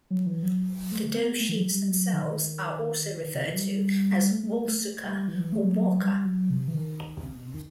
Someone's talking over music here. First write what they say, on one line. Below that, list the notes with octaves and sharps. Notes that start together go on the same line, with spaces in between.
The dough sheets themselves, are also referred to as walsouka or warka.
F#3
E3
F#3
A3
B3
A3
E3
F#3
G3
F#3
D#3
C3
E3
F#3
G3
G3
A3
A3
A3
A3
G3
E3
F#3
E3
A3
F#3
F#3
G3
F#3
C3
E3
D#3
C3
B2
C3
D#3